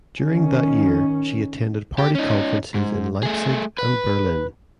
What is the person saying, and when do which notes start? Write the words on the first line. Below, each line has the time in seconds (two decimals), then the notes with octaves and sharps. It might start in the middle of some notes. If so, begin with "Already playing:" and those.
During that year she attended party conferences in Leipzig and Berlin.
0.20 D#3 C#4
1.99 G4
2.15 C#4 D#4
2.74 G#2
3.23 A3 G#4
3.78 B4